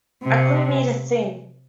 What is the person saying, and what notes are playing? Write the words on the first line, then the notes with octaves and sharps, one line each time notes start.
I couldn't eat a thing.
C3